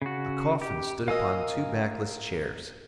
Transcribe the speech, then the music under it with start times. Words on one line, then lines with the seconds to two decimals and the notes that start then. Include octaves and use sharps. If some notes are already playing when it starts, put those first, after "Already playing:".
A coffin stood upon two backless chairs.
0.02 C#3 F#4
0.62 G4
1.08 F#4 A#4 D#5 F5 G#5 E6